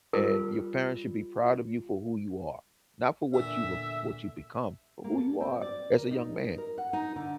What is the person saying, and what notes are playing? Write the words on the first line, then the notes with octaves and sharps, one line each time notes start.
and your parents should be proud of you for who you are, not for what you've ac what you've become, but who you are, as a young man.
G3 F4 A#4
E2 A#2 D3 E5
A#3
A4
C4
D5
A#4
D#4
A#4
F#5
D#4
D3